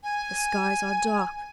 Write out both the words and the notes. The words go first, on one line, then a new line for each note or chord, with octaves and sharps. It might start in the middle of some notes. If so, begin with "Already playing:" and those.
The skies are dark!
G#5